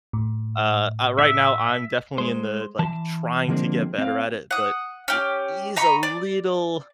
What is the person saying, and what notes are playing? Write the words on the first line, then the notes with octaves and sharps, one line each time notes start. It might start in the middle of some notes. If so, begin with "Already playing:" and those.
uh, uh, right now, I'm definitely in the, like, trying to get better at it, but it is a little
A2
E5
G#3 C5
E3 A5
D3 F3 G#3 A#3 C4 D4
C4 F5
F#5 D#6
C#4 G4
D#5 A#5 B5 C#6
D5